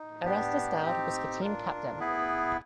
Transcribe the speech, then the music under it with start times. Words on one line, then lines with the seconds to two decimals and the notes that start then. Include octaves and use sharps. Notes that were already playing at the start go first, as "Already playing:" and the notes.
Erastus Doud was the team captain.
Already playing: D#4
0.25 B3 D4 G4
0.82 C4 D#4 G4
1.41 D4 F4 A#4
1.99 B3 E4 G#4 B4